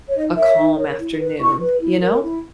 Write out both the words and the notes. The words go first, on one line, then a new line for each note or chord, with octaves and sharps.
a calm afternoon, you know?
C#5
D#4 D#5
A#4 C#5 E5
D#4
A#4 C#5
E4
B4
E4 C#6
B4
E4
A#4 C#5
E4